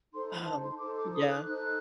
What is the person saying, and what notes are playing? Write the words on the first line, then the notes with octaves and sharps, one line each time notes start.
um, yeah.
D#4 A4 C5 C6
C6
A5
C6
D#4 A4 C5 D6
D6
D#6
F#6
D#4 A4 C5 F#6